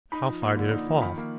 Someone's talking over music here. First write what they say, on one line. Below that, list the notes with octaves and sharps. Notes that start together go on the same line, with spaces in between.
How far did it fall?
D#4 B5
F3
A#3
D3
D#4
F3
D#3 B5
A#3